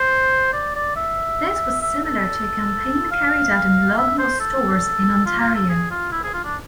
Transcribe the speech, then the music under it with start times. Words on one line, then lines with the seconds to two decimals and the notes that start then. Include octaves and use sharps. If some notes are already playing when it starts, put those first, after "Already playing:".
This was similar to a campaign carried out in Loblaws stores in Ontario.
Already playing: C5
0.53 D5
0.75 D5
0.96 E5
1.82 E5
2.05 A4
3.12 F5
3.98 E5
4.18 C5
4.40 A4
5.26 F4
5.40 F4
5.55 A4
5.69 G#4
5.91 F4
6.12 E4
6.24 G#4
6.34 F4
6.44 D4